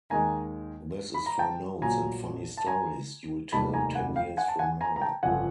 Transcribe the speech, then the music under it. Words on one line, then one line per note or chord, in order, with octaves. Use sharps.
This is for notes and funny stories you’ll tell ten years from now.
D#2 D#3 G#3 G#5 A#5
B5
A#5
G5 A5
A#1 A#2 F#3 G#5 A#5
A5
G#5 A#5
F1 D#2 D#3 G3 A5 B5
G#5 A#5
F#5 G#5
F5 G5
F#5 G#5
A5
F#5 G#5
G#5 A#5
A#5
G5 A5
G1 F2 C#3 F3 F#5 G#5